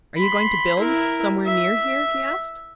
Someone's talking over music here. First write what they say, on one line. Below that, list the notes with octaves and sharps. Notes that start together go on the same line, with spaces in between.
"Are you going to build somewhere near here?" he asked.
B5 C6
E4 A#4
E5